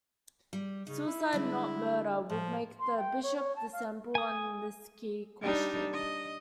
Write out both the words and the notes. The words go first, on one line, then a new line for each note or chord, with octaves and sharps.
Suicide, not murder, would make the bishop dissemble on this key question.
G3
C#3 D#4
E4
D3 G3 G#3
A2 F3
C6
G5
C#5
C#5
A5
F5
G#5 D#6
G3 D4 D#4
D#5